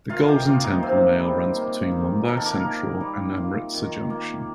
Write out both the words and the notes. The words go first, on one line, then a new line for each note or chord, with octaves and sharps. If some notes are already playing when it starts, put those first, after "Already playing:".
The Golden Temple Mail runs between Mumbai Central and Amritsar Junction.
D#3 F4 F5
G4 G5
A#3 F4 D#5 F5
D#4 D#5
C3 C4 C5
G3
A#3
D#3
D#3 A#4
A4
A#3 A#4
D#4
G3
F4
D#3
A#3